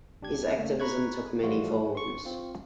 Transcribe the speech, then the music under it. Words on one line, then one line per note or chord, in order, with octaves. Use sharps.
His activism took many forms.
B1 D4 G4 G#6
C#3 A3 A#3 C#4
A#5 B5 C#6 F#6 G#6
E3 F3 G3 A3 F4 F#4
C6 C#6
C4 F4